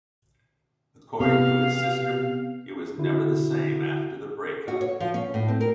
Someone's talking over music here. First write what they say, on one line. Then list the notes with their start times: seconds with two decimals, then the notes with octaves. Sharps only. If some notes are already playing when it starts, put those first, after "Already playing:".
According to his sister, he was never the same after the break-up.
1.20 C3 B3 G4 F5
2.98 D3 E4 F#4
4.68 F#4
4.81 C#5
5.00 F3
5.14 C#4
5.34 A2
5.48 C4
5.61 A#4